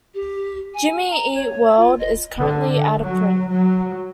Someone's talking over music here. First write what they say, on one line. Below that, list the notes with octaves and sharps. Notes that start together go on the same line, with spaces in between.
"Jimmy Eat World" is currently out of print.
G4
G#5
A#5
C#5
F4
D#5
D3
F#3
F#3